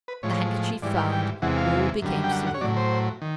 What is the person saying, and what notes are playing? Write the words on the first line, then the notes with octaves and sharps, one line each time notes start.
The handkerchief found, all became serene.
B4
A2 F3 G#3 C#5
G#2 E3 G3 D5
G5
G5
E2 C3 E3 G#3 F#5
F5
F#2 D3 G3
G5
F#5
F#5
C#5
A2 F#3 D5
C5
D#3